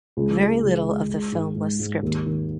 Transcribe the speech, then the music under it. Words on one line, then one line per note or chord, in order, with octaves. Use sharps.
Very little of the film was scripted.
C#2
G#3
C#2
G#3
G#3
G#2
G#2
G#2
D#2
D#3